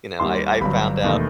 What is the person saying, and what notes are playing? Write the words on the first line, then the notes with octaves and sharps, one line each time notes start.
you know, I I found out
D#2 D#3 G3 C6
G1 G2 F#3 B5
E1 D#2 D#3 A3